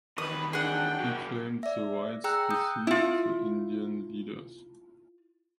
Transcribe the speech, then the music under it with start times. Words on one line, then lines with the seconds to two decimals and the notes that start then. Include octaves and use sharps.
He claimed the whites deceived the Indian leaders.
0.18 E2 D#3 B4 B5 D#6
0.53 D4 G#4 F#5 G5
1.00 F#3 A#3
1.63 D5 E5
2.24 G#4 G5 A#5 E6 F#6
2.51 D#6 G6
2.87 E4 F4